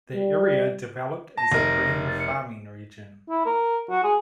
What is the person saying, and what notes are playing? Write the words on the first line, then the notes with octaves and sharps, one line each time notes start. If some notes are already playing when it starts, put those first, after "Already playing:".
The area developed as a grain farming region.
G3
A5 A#6
F1 D#4 A#4
A6
C#7
E4
A#4
F#4
G#4